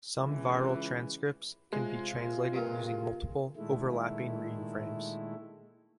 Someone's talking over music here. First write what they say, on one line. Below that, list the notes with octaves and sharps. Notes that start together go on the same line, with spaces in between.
Some viral transcripts can be translated using multiple, overlapping reading frames.
C#2 E3
C3 G#3 F4
G2 A#2
A#2 D#3 G#3 A3 E4